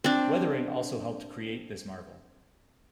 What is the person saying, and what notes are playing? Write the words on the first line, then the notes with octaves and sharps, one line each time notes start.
Weathering also helped create this marvel.
C4 D4